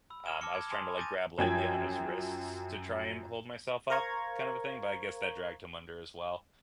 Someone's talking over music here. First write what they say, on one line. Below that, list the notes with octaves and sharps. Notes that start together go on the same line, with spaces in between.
um, I was trying to like grab lightly on his wrists to try and hold myself up, kind of a thing, but I guess that dragged him under as well,
B5 E6
E6 F6 G#6 E7
A5 D6 F6 A#6 C#7 G7
G#6
G#5 A5 C6 D#6 F7
G#5 D6 G6 A6 A#6 D#7
F#2 F3 G5 G#6
A#4 C5 F5 A#5 C#6 G#6